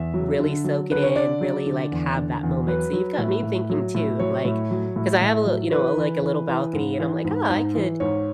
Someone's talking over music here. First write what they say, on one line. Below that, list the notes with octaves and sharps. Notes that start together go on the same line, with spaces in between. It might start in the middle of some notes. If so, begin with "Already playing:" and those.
really soak it in, really, like, have that moment, so you've got me thinking too of, like 'Cause I have a little you know, like, a little balcony and I'm like, "Oh, I could,
Already playing: E2 E5
F#3
D3
F#3
D3 B4
C#5
D3 D5
F#3
D3
E2
D3
E2
F#3 B4
F#3
A2
A2
F#3
A2
F#3 C#5
A2
F#3
A2
A2
F#3
E3 B4
E3
E3
E3
G#2
E3
G#2
G#2
E3
G#2 C#5